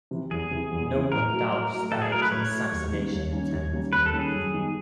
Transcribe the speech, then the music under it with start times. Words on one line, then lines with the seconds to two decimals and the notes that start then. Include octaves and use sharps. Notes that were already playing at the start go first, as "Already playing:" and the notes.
No one doubts that it was an assassination attempt.
0.11 C3 E3
0.31 E2 G#4
0.51 C3 E3
0.71 E2
0.91 C3 E3
1.12 A2 A#4
1.32 F#3 A3
1.52 A2
1.72 F#3 A3
1.92 A2 A4
2.02 G#4
2.12 F#3 A3 A#4
2.22 B4
2.32 A2 C#5
2.52 F#3 A3
2.72 D#2
2.92 D#3 G3 A#3 C#4
3.12 D#2
3.32 D#3 G3 A#3 C#4
3.53 D#2
3.73 D#3 G3 A#3 C#4
3.93 D#2 B4
4.06 A4
4.13 D#3 G3 A#3 C#4
4.19 G#4
4.34 F#2
4.53 D#3 G3 B3 D#4